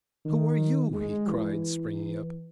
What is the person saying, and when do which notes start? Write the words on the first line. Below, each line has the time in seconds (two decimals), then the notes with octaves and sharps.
"Who are you?" he cried, springing up.
0.25 D#3
0.94 G#3
1.27 E3